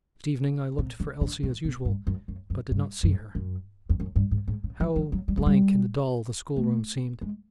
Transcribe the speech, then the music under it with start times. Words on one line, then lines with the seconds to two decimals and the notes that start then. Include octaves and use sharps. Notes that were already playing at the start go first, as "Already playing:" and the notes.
The next evening, I looked for Elsie as usual, but did not see her. How blank and dull the schoolroom seemed!
0.78 C3
1.00 C#3
1.21 D3
1.43 D#3
1.64 B2
1.85 G2
2.07 F#2
2.28 F#2
2.50 F#2
2.71 G2
3.03 F#2
3.35 F#2
3.89 F2
4.00 F#2
4.16 G2
4.31 G#2
4.48 G#2
4.64 C#3
4.80 F3
4.96 F3
5.12 F#3
5.28 G3
5.37 F#3
5.46 G3
6.56 A3
7.21 G#3